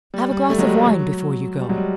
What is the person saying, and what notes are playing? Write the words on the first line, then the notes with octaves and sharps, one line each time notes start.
"Have a glass of wine before you go."
G3
G3
G3 A3
F#3 G#3
G3
F#3
G3
F#3 G#3
G3